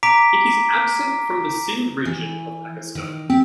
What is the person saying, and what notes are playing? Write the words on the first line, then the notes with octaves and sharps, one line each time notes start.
It is absent from the Sind region of Pakistan.
A#5 D6 B6 D7
E3
D#3
C4 G4